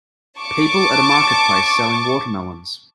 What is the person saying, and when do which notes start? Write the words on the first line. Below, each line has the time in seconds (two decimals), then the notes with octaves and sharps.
People at a marketplace selling watermelons.
0.39 A5 C#6 D6